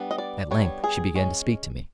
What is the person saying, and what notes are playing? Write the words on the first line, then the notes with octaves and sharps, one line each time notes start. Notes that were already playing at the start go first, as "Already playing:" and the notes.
At length she began to speak to me.
Already playing: G3 B3 D4
D#5
D5
G3 B3 D4 C#5
G#4
G#3 C#4